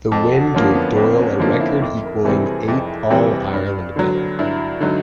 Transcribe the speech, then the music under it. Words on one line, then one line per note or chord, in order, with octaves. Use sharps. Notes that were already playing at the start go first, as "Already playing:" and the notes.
The win gave Doyle a record-equalling eight All-Ireland medal.
F2 A4
F#4
D3 F3 A#3 C#4
B3
F2 C4
C#4
D3 F3 A#3 D#4
E4
F2 E4
A#4
C3 E3 G3 C4 A4
G#4
F2 E4
C3 E3 G3 C4
G2
D3 F#3
G2 E4
D3 F#3 D#4